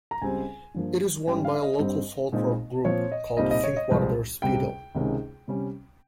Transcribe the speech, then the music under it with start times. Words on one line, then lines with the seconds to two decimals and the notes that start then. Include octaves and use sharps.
It is worn by a local folklore group called Finkwarder Speeldeel.
0.11 A#5
0.22 C#2 C#3 G3 C4 G#5
0.74 G2 F3 A#3
1.27 G#2 G3 C#4 G5
1.45 F5
1.55 F5
1.62 D#5
1.79 G2 G3 C4
2.32 A#2 G#3 C4 D#4
2.85 A#2 F3 C4 C#5
3.12 D#5
3.37 C2 A#2 G3 C4 D#4 D#5
3.51 D#5
3.64 C#5
3.76 D#5
3.90 C2 C3 F3 G#3 C4
4.42 C#2 C3 G3 G5
4.95 C#2 C3 D#3 G#3 C#4
5.48 C3 G3 C#4